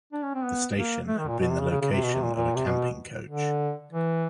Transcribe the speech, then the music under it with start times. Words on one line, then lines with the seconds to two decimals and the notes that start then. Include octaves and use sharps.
The station had been the location of a Camping coach.
0.13 D4
0.23 C#4
0.34 C4
0.45 B3
0.76 A#3
1.08 A3
1.19 D#3
1.28 A#2
1.40 B2
1.50 C3
1.61 C#3
1.71 C#3
1.81 C#3
1.92 C3
2.03 B2
2.13 C3
2.23 A#2
2.34 A#2
2.55 C3
2.66 B2
3.29 D3
3.92 E3